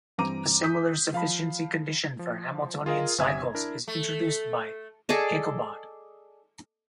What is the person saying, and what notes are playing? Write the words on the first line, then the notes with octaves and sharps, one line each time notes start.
A similar sufficiency condition for Hamiltonian cycles is introduced by Kaykobad.
G2 E3 C4 A#5 D6 D#7
D#6 G6 B6
F3 F5 A5 B5
F3
F4 G#4 A#4 D#5 F5
G1 C3 E5 G#5 D#6 G#6
D4 E4 A#4
A3
G#4 A4 D5 D#5